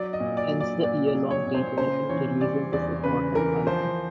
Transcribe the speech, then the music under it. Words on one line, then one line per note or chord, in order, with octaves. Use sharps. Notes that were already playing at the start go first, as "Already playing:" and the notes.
Hence the year-long delay in releasing this important album.
Already playing: F#3 D5
D#5
A#2
D5
F#3
D5
A#2 D5
D5
F#3
C#5
A#2
C5
C#3 C5
E3 C#5
G3 D5
E2 D5
C#3 B4
E3 A#4
F3 C5